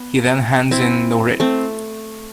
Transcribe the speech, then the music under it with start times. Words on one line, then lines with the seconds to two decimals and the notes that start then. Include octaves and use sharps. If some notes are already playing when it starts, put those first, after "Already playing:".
He then hands in the writ.
Already playing: B3
0.71 C4 E4
1.40 A3 C4